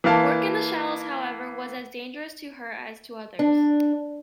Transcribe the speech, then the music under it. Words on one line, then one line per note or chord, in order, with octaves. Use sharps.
Work in the shallows, however, was as dangerous to her as to others.
E3 A#3 F5 A5
D4